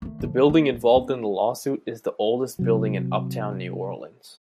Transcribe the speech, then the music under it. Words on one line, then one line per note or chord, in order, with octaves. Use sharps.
The building involved in the lawsuit is the oldest building in Uptown New Orleans.
D#3 A3
D3 F3
A#3
E1
B3 C#4
C3 F#3